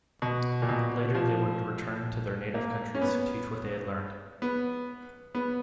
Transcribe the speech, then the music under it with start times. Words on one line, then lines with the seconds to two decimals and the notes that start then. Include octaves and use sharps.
Later they would return to their native countries to teach what they had learned.
0.22 B2
0.62 A#2
0.69 B2
1.15 F3
2.54 A#3
2.95 C#4
3.01 B3
4.42 B3
5.35 B3